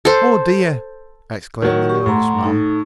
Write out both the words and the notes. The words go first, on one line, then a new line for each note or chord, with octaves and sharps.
"Oh, dear!" exclaimed the nervous man.
A4 C5
D#3 F#3
G4 C#6
A2 F#5 A#5 C6
D#4 A4